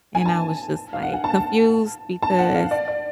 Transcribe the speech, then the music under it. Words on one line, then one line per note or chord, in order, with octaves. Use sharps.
And I was just, like, confused because
G#5
A5
F5
F#5
G#5
A5
A5
F#5
F5
D5
D5